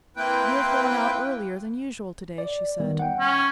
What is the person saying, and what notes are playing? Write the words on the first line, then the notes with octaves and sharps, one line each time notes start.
"You have gone out earlier than usual to-day," she said.
A#3 C4 E4 B4 G5
D5
D#3 G3 B3
F#5 G5
C#4